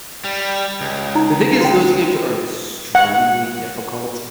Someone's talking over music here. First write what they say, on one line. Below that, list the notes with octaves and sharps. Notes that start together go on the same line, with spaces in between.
the thing is those games are extremely difficult,
G3
C#2
D#4 A#5
F#4 G5
F#5